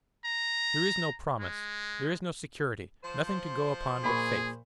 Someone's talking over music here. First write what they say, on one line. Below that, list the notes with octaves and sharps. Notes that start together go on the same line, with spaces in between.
There is no promise, there is no security--nothing to go upon but Faith.
A#5
G#3
F3 C5
A#2 G#4 B5 C#6